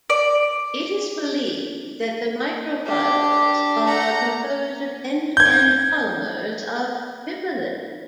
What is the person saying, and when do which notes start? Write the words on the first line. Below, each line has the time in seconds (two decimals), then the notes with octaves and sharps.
It is believed that the microfibrils are composed of end-to-end polymers of fibrillin.
0.10 D5
2.86 D4 G4
3.84 F#5 A#5
5.37 G6 G#6